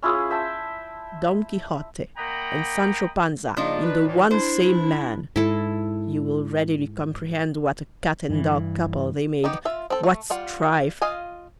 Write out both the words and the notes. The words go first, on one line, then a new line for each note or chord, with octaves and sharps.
Don Quixote and Sancho Panza in the one same man! you will readily comprehend what a cat-and-dog couple they made! what strife!
C#4 E4 F4 G#4
C5 E5 G5 A5
A#3 D#5 F#5 G5 A#5 B5
C#3 F3 A#3 D4 D#4
B4
A2 E3
D4 E4 C5
G#2 E4 A4
G2 E3
B3 D#4 G4
F4 E5
C4 A4
A3
G3 F4 F#5
F4 D#5 F5 G#5